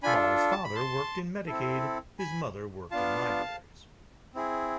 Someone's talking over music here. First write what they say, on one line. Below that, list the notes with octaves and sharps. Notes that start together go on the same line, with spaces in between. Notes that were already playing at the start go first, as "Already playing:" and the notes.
Ball's father worked in Medicaid; his mother worked in libraries.
D4 F4 A4 G#5 B5
A5
B5
A5 C6
C4 E4 A4
G#5 B5
B3 D4 F4 F5 A5
C4 E4 G#4